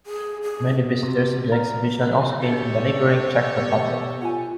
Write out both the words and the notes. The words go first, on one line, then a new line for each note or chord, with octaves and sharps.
Many visitors of the exhibition also came from the neighbouring Czech Republic.
G#4
G#4
C3
A#4
G4 A4 C#5
B2
F4 F#5 G#5